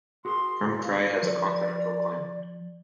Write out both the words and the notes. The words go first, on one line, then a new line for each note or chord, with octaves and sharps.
Perm krai has a continental climate.
F#4 G#4 A#4 C6
F5
F3 D5